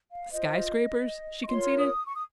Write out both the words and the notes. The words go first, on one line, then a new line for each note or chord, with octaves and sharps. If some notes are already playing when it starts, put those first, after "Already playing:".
"Sky-scrapers?" she conceded.
F5
F4 C5 D#5
C#6
F4 A#4 C#5 C6
D#6
C#6
D#6